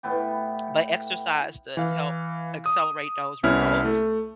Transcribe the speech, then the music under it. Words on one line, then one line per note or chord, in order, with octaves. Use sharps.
but exercise does help accelerate those results,
A2 B3 G4
E3 F5
D#6
C2 B3 C#4 E4 F6
A3